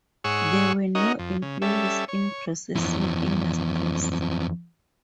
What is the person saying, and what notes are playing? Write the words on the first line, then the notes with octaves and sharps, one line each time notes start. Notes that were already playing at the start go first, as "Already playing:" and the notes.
There were no employees in processing industries.
G#2 G#4 C#5 F#5 C#6 E6
C#4 D#4 F#4 A#4 D#5
F2
C#3
G3 C#4 A4 E5
C#5
F2 E3